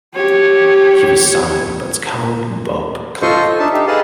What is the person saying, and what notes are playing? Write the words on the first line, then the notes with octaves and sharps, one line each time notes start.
He was signed by scout Bob Cluck.
G4 C#5
F4 A4 C5 D#5 C6 C#6
A4
D4 D#4 E5 A5
D#4 G4 E5
G#4 A4 B4 D#5 F5 A5